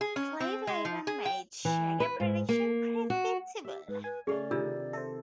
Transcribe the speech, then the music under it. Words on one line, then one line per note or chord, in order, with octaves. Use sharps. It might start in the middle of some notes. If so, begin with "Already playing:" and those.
Slave labour made sugar production profitable.
G#4
C#4
C4
G#3
F3
G#4
G5
E3
B4
G#2
A#3
F#4
G4 E5
G#2 B4
B4 G#5
C#3 A3 C#4 G#4 A4 D5 D#5 F5
C3 D#3 D4 F4 E6
A4 C5 E5 A5